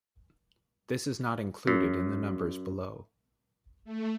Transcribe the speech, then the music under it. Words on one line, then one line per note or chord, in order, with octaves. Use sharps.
This is not included in the numbers below.
F#2
A3